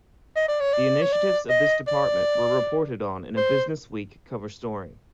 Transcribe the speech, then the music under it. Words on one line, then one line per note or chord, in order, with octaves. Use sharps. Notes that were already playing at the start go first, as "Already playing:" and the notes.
The initiatives of this department were reported on in a "BusinessWeek" cover story.
D#5
D5
C#5
D5
C#5
D5
D#5
D5
C5